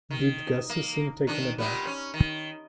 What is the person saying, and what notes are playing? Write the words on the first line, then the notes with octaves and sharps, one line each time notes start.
Did Gussie seem taken aback?
D#3
A#3
D#3 D4
A#2 G3 B3
C#4
D#3